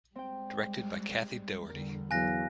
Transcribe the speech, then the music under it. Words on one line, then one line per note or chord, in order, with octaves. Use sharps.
Directed by Kathy Daugherty.
G3 G#3 C4 G5
E2 D3 G3 A#4
E2 F#3 F5 G#5 F#6 A#6